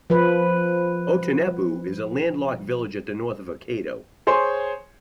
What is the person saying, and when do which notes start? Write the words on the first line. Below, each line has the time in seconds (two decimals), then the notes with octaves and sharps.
Otoineppu is a landlocked village at the north of Hokkaido.
0.10 F3 B4
4.27 G#4 C5 C#5 G#5 C6